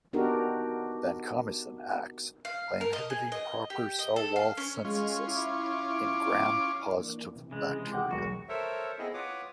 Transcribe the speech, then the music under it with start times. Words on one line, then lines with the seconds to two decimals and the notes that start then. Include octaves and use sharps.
Vancomycin acts by inhibiting proper cell wall synthesis in Gram-positive bacteria.
0.13 B3 D4 D#4 F#4 G4 A#4
2.45 F5
2.81 A#4
2.93 D#5
3.10 G#4
3.32 D#5
3.70 G4
3.99 D#5
4.16 A4
4.36 F5
4.57 C#4
4.85 G#3 C#4 F4
5.28 E4 D6
6.97 E3 A#3 D4
7.36 C3 E3
7.51 C#3 G#3
7.76 G#3
7.92 F#5 G5 D6
8.11 E1 B1 F#4 A#4 C#6
8.49 A4 A#4 C5 C#5 E5
8.99 B3 C4 E4 G#4 D#5
9.14 F4 B4 C#5 F#5 D6 D#6